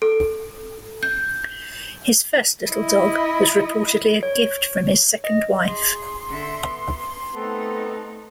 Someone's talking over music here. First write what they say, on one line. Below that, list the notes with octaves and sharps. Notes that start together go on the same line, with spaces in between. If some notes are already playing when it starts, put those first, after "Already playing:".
His first little dog was reportedly a gift from his second wife.
A4
G6
E4 D#5
C#5
D#5
G#4 C6
D3 E5
B3
A3 B3 C4 D#4 A4